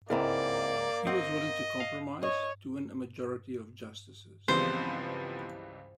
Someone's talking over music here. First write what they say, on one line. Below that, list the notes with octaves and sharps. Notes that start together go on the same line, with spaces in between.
He was willing to compromise to win a majority of Justices.
C#2 G#2 A#3 C4 E4 A#4 D5
C4 D#5 F#5
F5
C#5 D#5
C#2 E3 F3 G3 B3 C4 C5